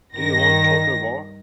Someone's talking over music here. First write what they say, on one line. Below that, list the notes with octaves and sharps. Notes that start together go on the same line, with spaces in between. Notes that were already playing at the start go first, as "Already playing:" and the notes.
Do you want total war?
G2 D#3 A#6